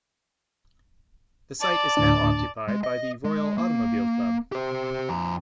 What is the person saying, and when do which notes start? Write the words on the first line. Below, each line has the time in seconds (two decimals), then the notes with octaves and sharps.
The site is now occupied by the Royal Automobile Club.
1.60 D5 A5
1.97 D2 A2 D4
2.68 G#3
2.84 D#5
3.25 G#3
3.58 A#3
4.52 G4 C5
5.09 F2 A#5